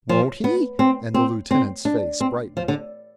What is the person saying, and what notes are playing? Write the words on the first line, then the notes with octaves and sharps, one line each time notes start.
"Won't he?" and the lieutenant's face brightened.
F3
B3
C4
C4
C4
D4
C4
F3
D3